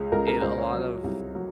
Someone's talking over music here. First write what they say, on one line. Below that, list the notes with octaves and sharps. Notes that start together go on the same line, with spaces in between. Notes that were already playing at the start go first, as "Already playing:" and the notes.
it a lot of
Already playing: C#2 C#3 G#4
C#2 A#4
A#4
C#2 C5
C#5
F#3
C2
F#3